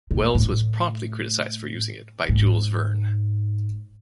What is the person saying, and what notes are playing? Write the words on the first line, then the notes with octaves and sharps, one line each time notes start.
Wells was promptly criticized for using it by Jules Verne.
A#2
A2
G#2